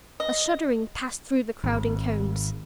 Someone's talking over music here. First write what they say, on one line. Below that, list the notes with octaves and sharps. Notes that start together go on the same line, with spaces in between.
A shuddering passed through the crowding cones.
D#5
G#1